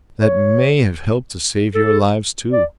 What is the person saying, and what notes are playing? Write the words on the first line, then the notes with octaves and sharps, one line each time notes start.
That may have helped to save your lives too.
C#5
A4
D5